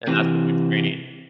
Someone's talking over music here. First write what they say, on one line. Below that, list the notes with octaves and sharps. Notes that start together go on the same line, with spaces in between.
and that's what you're training.
C3 E3